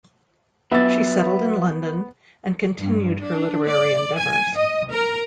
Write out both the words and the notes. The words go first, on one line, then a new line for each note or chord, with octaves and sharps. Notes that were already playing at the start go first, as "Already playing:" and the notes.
She settled in London and continued her literary endeavours.
F#3 B3 B4 E5 A6
G2
D4
D5
G#5
D#5
A#4